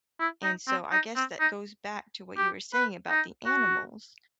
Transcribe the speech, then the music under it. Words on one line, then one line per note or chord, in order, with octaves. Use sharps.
and so I guess that goes back to what you were saying about the animals,
E4
D#4
C4
D#4
C4
D#4
G4
B4
D#4
F#4